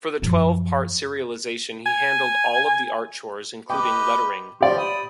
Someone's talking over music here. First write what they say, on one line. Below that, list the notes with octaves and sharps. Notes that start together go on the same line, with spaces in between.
For the twelve-part serialization, he handled all of the art chores including lettering.
F#2 F3
G#5
G4 B4 D#5 G5
F3 G4 D5 C6
B5 D#6